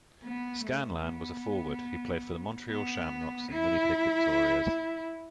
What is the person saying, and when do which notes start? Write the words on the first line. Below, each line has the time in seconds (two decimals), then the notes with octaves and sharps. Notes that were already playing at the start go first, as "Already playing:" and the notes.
Scanlan was a forward who played for the Montreal Shamrocks and Winnipeg Victorias.
0.24 B3
0.64 A3
1.06 B3
2.69 B3
3.52 E4